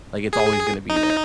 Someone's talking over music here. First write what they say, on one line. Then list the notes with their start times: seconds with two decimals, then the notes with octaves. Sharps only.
Like, it's always gonna be there.
0.33 G#4
0.90 D#4